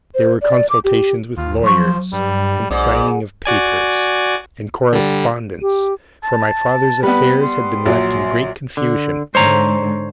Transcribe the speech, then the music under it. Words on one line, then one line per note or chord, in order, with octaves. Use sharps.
There were consultations with lawyers, and signing of papers, and correspondence; for my father's affairs had been left in great confusion.
C5
D5
D6
G4
D#2 F4
F3 F#3 C5 C#6
G2 G3
B1 G#2 D5
F#4 D5 G#5
D3 G3
G4
A5
G3 B3 B4
C6
A#1 F#3
D3
G#2 D3 G#3 C5 C#5 A#5